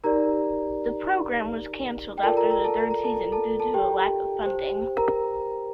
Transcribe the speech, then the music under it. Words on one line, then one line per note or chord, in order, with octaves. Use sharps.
The program was canceled after the third season due to a lack of funding.
D#4 G4 A#4 D5 A#5
G5
F4 A4 A#4 D5 A5
A#4 A#5
A#4 A#5
A4 A5
A5
A#5
A4 A5
A4 A5
A4 A5
G4 G5
G4 C5
A#4 A#5